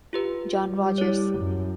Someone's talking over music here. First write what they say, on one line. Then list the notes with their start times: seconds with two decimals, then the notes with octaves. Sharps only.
John Rogers.
0.13 F4 G4 B4
0.66 G3
0.98 E4 C#5
1.39 F#2